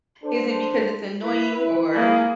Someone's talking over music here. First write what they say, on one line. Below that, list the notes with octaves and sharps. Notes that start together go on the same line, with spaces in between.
Is it because it's annoying or
D4 A4 C5
E4 B4
A#3 G#4